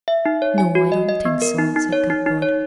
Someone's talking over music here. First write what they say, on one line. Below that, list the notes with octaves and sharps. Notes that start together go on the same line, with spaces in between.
"No, I don't think so," said Cuthbert.
E5
D#4
C#5
G#5
F#4
D#5
D#5
B3
A#4
D#4
D#4
C#5
D#4
D#4
C#5